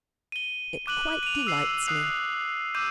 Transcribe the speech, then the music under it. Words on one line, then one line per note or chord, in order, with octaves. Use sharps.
It quite delights me.
D#7 G7
D6 F#6 D#7 F#7
D#7 F7
E6 C7
D#6 F#6 C7 F7
D6 E6 G6 D#7